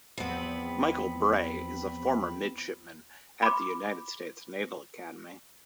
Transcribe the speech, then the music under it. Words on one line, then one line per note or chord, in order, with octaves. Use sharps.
Michael Bray is a former Midshipman at the United States Naval Academy.
E2 F3 B3 C4 B5
B5 C6 D6